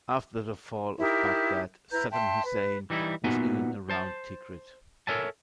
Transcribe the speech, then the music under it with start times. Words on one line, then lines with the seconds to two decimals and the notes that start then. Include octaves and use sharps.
After the fall of Baghdad, Saddam Hussein was in and around Tikrit.
0.99 D#4 E4 G4 A#4
1.91 E4 B4 A#5 G6
2.11 E5 G5 A5 C6
2.44 B4
2.90 E3 G3 D#4 E4
3.24 A#2 B3 D#4 F#4 E5 G#5
3.90 C5 A5
5.07 A4 A#4 C#5 E5 G#5 A5